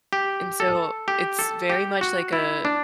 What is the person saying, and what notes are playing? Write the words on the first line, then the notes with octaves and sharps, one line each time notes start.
And so it's very much like a
G4
A4
G4
A4
G4
F#4
E4
D4